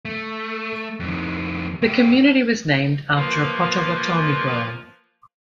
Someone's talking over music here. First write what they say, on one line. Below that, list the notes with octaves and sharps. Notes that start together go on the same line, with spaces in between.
The community was named after a Potawatomi girl.
A3
F2 D#3
A3 G4
F3 A#3 F4 A#4 B4